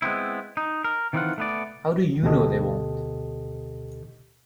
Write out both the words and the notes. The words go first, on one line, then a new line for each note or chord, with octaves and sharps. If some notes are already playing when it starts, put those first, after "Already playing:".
How do you know they won't?
G#3 B3 C4 E4
D#4
A#4
D#3 E3 C4 D4 F4 F#5
A3 B3 D5
D2 B2 G4 A4 D#5